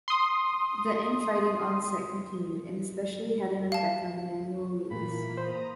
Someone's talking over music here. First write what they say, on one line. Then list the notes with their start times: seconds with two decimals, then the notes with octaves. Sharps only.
The in-fighting on set continued, and especially had an effect on Emmanuel Lewis.
0.08 C6 D#6
3.72 F5 A5
4.91 A#2 E3 A#3 B5
5.37 C5 A#5 D#6